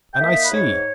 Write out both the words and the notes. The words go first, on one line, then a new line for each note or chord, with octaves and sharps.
And I see.
G5
A#3 D#4 E5
B4
G#2 C#5